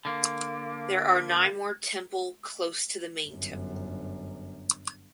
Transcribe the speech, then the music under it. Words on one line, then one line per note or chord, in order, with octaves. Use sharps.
There are nine more temple close to the main temple.
D3 A#3
G1 F#2